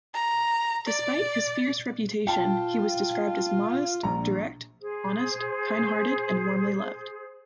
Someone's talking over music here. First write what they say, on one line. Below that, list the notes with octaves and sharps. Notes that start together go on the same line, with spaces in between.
Despite his fierce reputation he was described as modest, direct, honest, kind-hearted and warmly-loved.
A#5
D5
F4 G5 A5
A#1 D4 A#5
G#4 C5